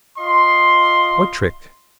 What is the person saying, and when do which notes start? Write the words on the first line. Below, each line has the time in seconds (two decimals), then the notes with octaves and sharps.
"What trick?"
0.18 F4 D#5 C6